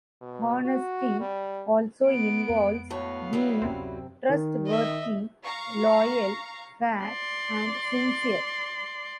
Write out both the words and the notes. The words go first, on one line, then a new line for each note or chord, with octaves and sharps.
Honesty also involves being trustworthy, loyal, fair, and sincere.
B2
F#4
G3
B3 D7
F2 G#3
D2 A2 B3 C#5 F5
D3 F#3 G3 E4
D1 F#2 C3 C4 C#4
D#3
D#5 E5
F5 A#5 C#6
D5 C6